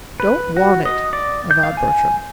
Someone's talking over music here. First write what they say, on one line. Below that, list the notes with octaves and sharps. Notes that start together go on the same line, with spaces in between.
"Don't want it," avowed Bertram.
B4
F#4
D#5
D5
G6
F5
G#5